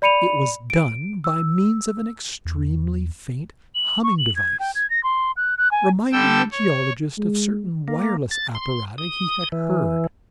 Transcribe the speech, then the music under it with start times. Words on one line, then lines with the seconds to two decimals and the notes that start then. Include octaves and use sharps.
It was done by means of an extremely faint humming device, reminding the geologist of certain wireless apparata he had heard.
0.02 D5 B5 C#7 D#7 F7
0.70 D7
1.24 E6
2.45 E2
3.75 F#7
4.03 C#6
4.18 F#7
4.36 G#6
4.60 G5
4.75 G#6
4.90 A#6
5.03 C6
5.37 F#6
5.58 F#6
5.71 G#5
6.12 D3 G3 A4 G5 E6
6.51 C#5
7.18 G#3
7.88 A#3
8.31 A6
8.55 C6
8.98 D#6
9.52 E3